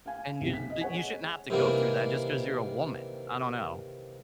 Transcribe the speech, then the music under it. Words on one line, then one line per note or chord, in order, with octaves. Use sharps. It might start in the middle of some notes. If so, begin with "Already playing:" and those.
and you you shouldn't have to go through that just 'cause you're a woman. I don't know.
F5 G#5
B1 C3
B6
D#5
G#4 C#5 F#5 G#5
C3 D#3 E3 A#3 D4